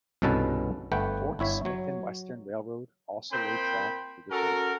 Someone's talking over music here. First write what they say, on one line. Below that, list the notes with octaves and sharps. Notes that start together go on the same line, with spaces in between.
Fort Smith and Western Railroad also laid track through the town.
C2 G2 B2 C#4 A4 B4
G1 A3 B4 F#5 G5
G1 E4 C#5 E5
F#3 C#5
A#2 C4 C5 G5 B5
C#4 F#4 A4 A#4